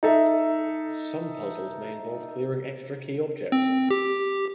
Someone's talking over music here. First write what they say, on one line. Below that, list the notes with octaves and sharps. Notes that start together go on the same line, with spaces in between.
Some puzzles may involve clearing extra key objects.
D#4 A4 E5
C4
G4